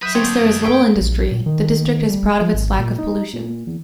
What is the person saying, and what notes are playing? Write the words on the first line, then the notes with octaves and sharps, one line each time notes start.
Since there is little industry, the district is proud of its lack of pollution.
F#3 B4 E5 D#6 G6
D3 A3 C4 G#6 F7
F#2
G3 G5
A#1
A#2
D#3
G3
F3
G#1
A#2
D#4
A#2
E2